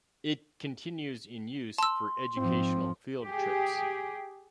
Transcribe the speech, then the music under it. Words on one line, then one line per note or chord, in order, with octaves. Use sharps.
It continues in use for educational field trips.
A5 C6 E6
G#2 F3 C4
G4 G#4